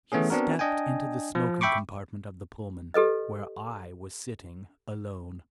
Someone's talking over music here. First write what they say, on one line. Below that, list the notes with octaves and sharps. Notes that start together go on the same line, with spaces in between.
HE STEPPED into the smoking compartment of the Pullman, where I was sitting alone.
E3 A3 B3 C#4 G#4
B3 C4 D4 F#4 A#4
D4 D#5 G5 G#5
F3
E5 G5 B5 C#6 D6
G4 A4 B4 D#5